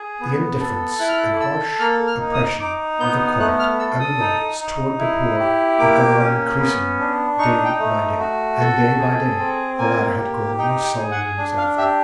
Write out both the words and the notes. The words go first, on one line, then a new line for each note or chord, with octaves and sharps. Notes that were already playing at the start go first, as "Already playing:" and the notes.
The indifference and harsh oppression of the court and the nobles toward the poor had gone on increasing day by day, and day by day the latter had grown more sullen and resentful.
Already playing: G#4
B3
A4
E4 F#6
F6
F#6
A4 E6
A#3 F6
F6
D#4
D#6
D#4 D6
B3 G6
A3 F#6
F6
A4 E6
D#6
D#4
D#4
E4
G4
A#3 D6
C#4
B3
D4
D#4 C#6
G5
A3
F#4
A4
G#4
C4
A#3 G#5
G4
D#4 G5
G5
G#4
F#5
D4
F5
G4 E5